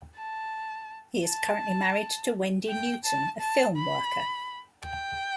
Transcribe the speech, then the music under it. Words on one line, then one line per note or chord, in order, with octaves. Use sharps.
He is currently married to Wendy Newton, a film worker.
A5
A5
G5
A5
A5
B5
G5